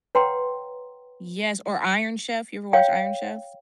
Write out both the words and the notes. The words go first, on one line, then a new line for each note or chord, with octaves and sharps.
Yes, or Iron Chef, you ever watched Iron Chef?
B4 C#5 F#5 G5 A#5 C6
C#5 F5 G5